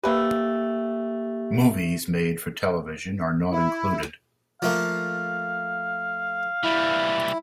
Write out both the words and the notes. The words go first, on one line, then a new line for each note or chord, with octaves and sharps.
Movies made for television are not included.
A3 A#3 G4 B4
E4
F3 A3 A#3 F5
E3 G3 E4